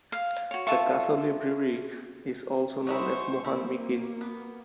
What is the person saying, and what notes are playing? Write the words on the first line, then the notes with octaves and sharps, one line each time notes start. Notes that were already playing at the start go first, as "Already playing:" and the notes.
The Kasauli brewery is also known as Mohan Meakin.
F5
F#4 C#5
F4 A4 E5 C#6
F#3 G#3 E4 C5 C#6
A#3 C4 E4
B3